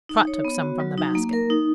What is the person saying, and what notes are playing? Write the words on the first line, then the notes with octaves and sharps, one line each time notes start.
Trot took some from the basket.
D#4
C#5
B3
F#4
F#3
D#4
A#3
A#4
D#4